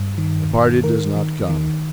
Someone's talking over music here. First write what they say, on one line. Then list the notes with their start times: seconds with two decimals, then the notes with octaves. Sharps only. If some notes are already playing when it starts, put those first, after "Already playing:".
The party does not come.
Already playing: G2
0.18 D#3
0.51 D#3
0.84 D#3 A#4
1.16 D#3
1.49 D#3